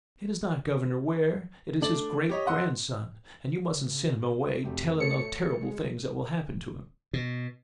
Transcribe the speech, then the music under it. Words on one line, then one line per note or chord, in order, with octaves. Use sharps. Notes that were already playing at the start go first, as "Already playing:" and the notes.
"It is not Governor Ware, it is his great-grandson, and you mustn't send him away tellin' of terrible things that will happen to him."
A3 D4 D5 F#7
G4 C#5 D#5
D#5 F#5 C6 E6
C#3
F1 F#3 A3 G4
A4 C5 C#5 C#7
G#3 G#4
B2